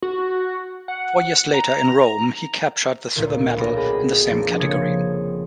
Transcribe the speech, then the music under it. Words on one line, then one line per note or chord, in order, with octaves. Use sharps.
Four years later in Rome he captured the silver medal in the same category.
F#4
F#5
A#5
D2 A#2 D#3
B1 B3 F4 A#4 D6
G4 G#4 D#5 B5
F2 F3 A#3 D4
F1 C#3 F3 D#6 G#6 C#7